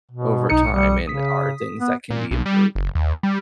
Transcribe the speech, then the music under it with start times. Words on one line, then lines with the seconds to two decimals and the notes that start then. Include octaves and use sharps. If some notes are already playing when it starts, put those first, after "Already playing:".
over time and are things that can be improved
0.12 B2
0.50 B1 D#4 D#6 C#7
0.70 G3
1.07 C#3 D#6 B6
1.79 B3
2.10 A#2
2.31 B1
2.46 G3
2.75 F#1
2.95 D#2
3.23 G3